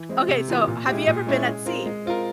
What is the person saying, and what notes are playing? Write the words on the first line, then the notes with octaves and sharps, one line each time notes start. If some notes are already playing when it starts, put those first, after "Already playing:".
Okay, so have you ever been at sea?
Already playing: E3
G#3 C4 E4
C3
E3 A#3 F4
A#2
G#3 E4 G4
A#2
G#3 C#4 E4
G#3
C4 F4 A#4
G#3
C4 F4 A#4